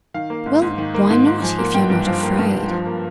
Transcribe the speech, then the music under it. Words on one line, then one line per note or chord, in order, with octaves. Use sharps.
"Well, why not, if you're not afraid?"
D#3 F5
A#3
G#2
G#2
D#3
A#3
G#2
G#2
F3 G#5
A#3
G2 G5
G2
F3 F5
A#3
G2
G2
F3
A#3